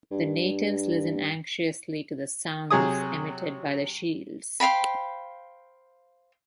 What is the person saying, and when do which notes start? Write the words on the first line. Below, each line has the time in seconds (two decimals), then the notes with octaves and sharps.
The natives listen anxiously to the sounds emitted by the shields.
0.11 G2
2.71 C3 F#3 G#4 D#6
4.60 C5 F5 G5 B5